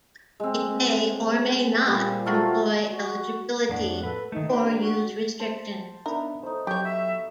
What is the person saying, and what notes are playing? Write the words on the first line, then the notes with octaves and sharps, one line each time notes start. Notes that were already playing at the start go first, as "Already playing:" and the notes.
It may or may not employ eligibility or use restrictions.
G#3 C4
A#2 G3 C5
A3 F4 F#4 A#4
F#4
F2 A2 D4 F#5
A4 B4
D#3 A3 D#4
A#3 D4 G4
F#4
C5 A5
B3 D4 D#4 A#4 E5
A3 D#4 C5
F#3 F#4 G4 C#5 G6
E5